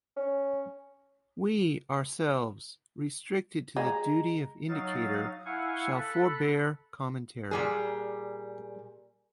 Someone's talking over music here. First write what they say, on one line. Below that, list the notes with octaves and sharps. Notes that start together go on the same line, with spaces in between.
We ourselves, restricted to the duty of indicator, shall forbear commentary.
C#4
G#3 A#5
F#3 D#4 F5 A6
E4 F5 F#5 G#5 C#6
A4 B5 F#6
A#2 G3 G#4